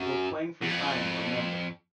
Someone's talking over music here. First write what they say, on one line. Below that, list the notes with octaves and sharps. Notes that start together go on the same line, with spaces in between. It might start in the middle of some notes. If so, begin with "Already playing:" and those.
We're playing for time, remember.
Already playing: F#2
E2
F2